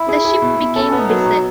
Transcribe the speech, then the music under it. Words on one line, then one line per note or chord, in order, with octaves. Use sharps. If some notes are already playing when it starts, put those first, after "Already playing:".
The ship became beset.
Already playing: E4
G#4
G#4
B2
B2
C#4 A4
B3 C#4
D#4
F#3
B2